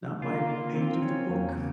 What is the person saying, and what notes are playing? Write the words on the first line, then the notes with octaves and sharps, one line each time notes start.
not my page of the book.
A#3 F4
F4
C4 F4
C#4
E2 A#3
C#3